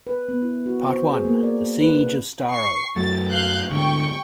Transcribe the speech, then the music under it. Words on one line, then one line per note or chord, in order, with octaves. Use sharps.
Part One", "The Siege of Starro!
B4
B3
E4
F#4
C5
G#4
A#3
D5
B4
B4
C#6 C7
F#2 F#3 A3 A6
F5 F#6 G6
D2 G#2 D3 G5 C#6